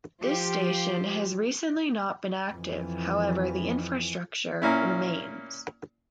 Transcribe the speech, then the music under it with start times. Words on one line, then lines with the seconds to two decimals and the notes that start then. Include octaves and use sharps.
This station has recently not been active however the infrastructure remains.
0.23 F3 F4 G4 C5
2.53 F2 E3
4.62 A#2 A#3 C#4 E4